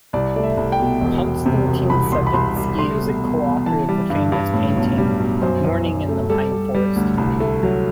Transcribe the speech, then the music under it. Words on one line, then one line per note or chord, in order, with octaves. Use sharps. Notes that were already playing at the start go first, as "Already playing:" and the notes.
Konstantin Savitsky is a co-author of the famous painting "Morning in the Pine Forest".
C2 D5
A3 D5
E5
C2
G5
B2
E1
E1
C3
E1
C2 B5
C2 C6
B5
C2 C6
G3
A3 C6
B2
E2
E2
E3 A5
G3
G2
G2
A2
B1
G3
B1
F#2 C5
F#2
F#2
A3
G3 A4
G3
G3
D2
C2
A3
F#3